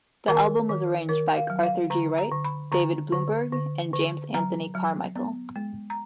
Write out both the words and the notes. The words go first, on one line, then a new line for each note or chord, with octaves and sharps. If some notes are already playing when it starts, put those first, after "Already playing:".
The album was arranged by Arthur G. Wright, David Blumberg and James Anthony Carmichael.
D#3 A#4
D#3
D#3 A#4
F5
F#3
F5
D3 A#5
A#5
D3
B5
D3 A#5
D3
D3
D3
F#3 A#5
F#3
B3
G#3
A#5